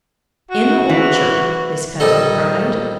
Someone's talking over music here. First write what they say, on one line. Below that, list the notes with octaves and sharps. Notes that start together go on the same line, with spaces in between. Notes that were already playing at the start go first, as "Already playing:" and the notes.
"In the orchard!" his cousin cried.
F#4
E3
A#1 G3 D#4 A4